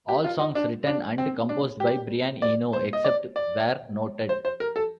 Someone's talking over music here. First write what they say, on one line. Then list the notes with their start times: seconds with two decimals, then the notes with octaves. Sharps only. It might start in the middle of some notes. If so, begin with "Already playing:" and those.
All songs written and composed by Brian Eno, except where noted.
0.09 G4
0.24 F4
0.40 D#4
0.55 D4
0.87 D4
1.18 C4
1.49 D4
1.80 G4
2.42 D5
2.73 C5
2.93 D#5
3.05 D5
3.36 D5
4.29 C5
4.45 C5
4.60 A#4
4.76 A4